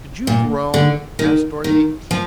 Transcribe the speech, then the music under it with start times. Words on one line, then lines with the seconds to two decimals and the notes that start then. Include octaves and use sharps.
"Did you groan?" asked Dorothy.
0.27 A#2
0.74 D3
1.19 D#3
1.64 D#3
2.11 F3